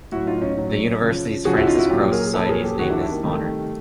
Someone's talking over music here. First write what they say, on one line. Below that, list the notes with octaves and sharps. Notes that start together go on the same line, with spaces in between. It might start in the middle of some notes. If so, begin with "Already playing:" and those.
The University's Francis Crowe Society is named in his honor.
A2 F#3 E4 F#4
D#4 F4
C#4 D#4
A2 F#3
C#3 F3
C#3 F3 F#4 G#4
E4 F#4
D#4 F4
E4 F#4
A#2 F#3 F4 G4
G#4 A#4
A#2 F#3 A4 B4
G#4 A#4
G4 A4
C3 D#3 G3 F#4 G#4
D4 E4
D4 E4
A#3
C3 D#3 G3 A3